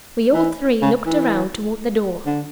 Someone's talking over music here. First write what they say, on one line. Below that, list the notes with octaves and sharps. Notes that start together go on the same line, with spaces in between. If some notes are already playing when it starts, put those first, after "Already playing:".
We all three looked around toward the door.
E3
C#3
E3
D3